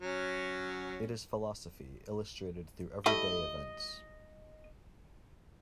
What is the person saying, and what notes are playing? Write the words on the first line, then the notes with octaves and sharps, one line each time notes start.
It is philosophy, illustrated through everyday events.
F#3 C#4
G3 A3 E4 D#5